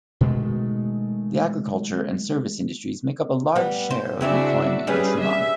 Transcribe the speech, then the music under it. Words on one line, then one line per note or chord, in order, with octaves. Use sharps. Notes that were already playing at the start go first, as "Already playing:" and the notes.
The agriculture and service industries make up a large share of employment in Trumann.
B2 D#3 G#3 A3
G3 B3
C5
C#3 C4 D4 E4 F#4 E5
G3 C#4 D4 G#4 B4
E5